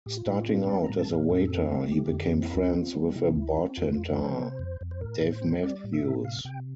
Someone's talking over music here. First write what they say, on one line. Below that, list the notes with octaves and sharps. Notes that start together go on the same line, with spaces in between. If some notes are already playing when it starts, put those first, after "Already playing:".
Starting out as a waiter he became friends with a bartender, Dave Matthews.
A2 G4
F4
A2 E4
F4
C4
G3 D5
A#5
A2
A5
A2 A#4
F2 A4
C4
A3
D3 G4
F2
C4
E4
D2 F4
C4
G3
C3 E4
D2
C4
F2 F4
E4
F2 F4
F4
F3 C5
C3 C5
F2
F2
C5
A2 A#4
A2
C5
C4
G3 D5
A2
E5
A2
C3 F5
C3 G5